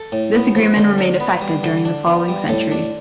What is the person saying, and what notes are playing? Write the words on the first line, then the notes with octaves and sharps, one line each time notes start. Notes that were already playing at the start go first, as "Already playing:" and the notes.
This agreement remained effective during the following century.
Already playing: A4
A2
B3
F3
D3 C5
D4
B3 B4
G3
D3
D4
B3
G3
A2 A4
D4